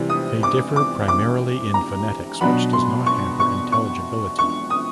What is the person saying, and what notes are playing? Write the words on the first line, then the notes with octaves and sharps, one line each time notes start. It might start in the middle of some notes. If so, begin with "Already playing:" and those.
They differ primarily in phonetics, which does not hamper intelligibility.
Already playing: C3 E3 G3
D#6
D6
D6
D6
A#5
B2 F#3 B3 D4 B5
C6
C#6
C#6
C#6
C#6
D#6